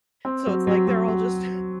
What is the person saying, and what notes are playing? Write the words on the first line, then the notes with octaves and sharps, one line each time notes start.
So it's like they're all just
C4
F#3
F#3
F#3
F#3